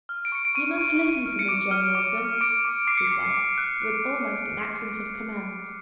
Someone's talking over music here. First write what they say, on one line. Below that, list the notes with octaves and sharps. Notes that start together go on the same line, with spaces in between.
"You must listen to me, Jem Wilson," she said, with almost an accent of command.
F6
D7
C#6 C#7
D7
C#6 D#7
C#6
C#6
F6
C#7
D6 D7
F6
D6
F6
D6 D7
D6
D6 C7
C#7
D6 C7
D6
F#6
F#6
D6